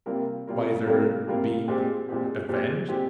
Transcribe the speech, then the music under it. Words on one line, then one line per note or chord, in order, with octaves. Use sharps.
By their being avenged?
C3 G3 A#3 F4 A#4
C3 G3 A#3 F4 A#4
C3 G3 A#3 F4 A#4
C3 G3 A#3 F4 A#4
A#2 G#3 C4 G4
A#2 G#3 C4 G4
A#2 G#3 C4 G4
A#2 G#3 C4 G4